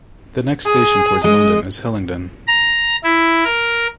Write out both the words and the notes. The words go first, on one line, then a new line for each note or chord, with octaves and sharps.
The next station towards London is Hillingdon.
G#4
G#3 D#5
A#5
E4
A#4